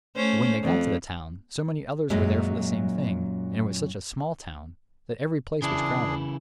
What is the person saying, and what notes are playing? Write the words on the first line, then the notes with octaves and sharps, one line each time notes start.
But when they got to the town, so many others were there for the same thing, and it was such a small town, that every place was crowded.
A3 C#4 C5
F2
F#2 A#2 F#3 G#3
C#3 E3 D4 E4 G#4